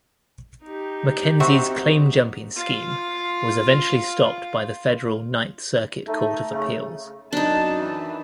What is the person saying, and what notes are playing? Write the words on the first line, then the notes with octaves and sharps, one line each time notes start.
McKenzie's claim-jumping scheme was eventually stopped by the federal Ninth Circuit Court of Appeals.
D#4 G4
C4 F#4 E5
F4 F5
A3 D#4
C#3 A3
F#2 D4 D#4 A5
E3